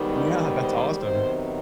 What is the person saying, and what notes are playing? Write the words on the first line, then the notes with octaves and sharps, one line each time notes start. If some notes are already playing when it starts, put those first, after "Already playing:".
Yeah, that's awesome.
Already playing: G#2 D#3 G3 B3 D#4
D5
C5
C3 D#3 F#3 B3 D#4 C5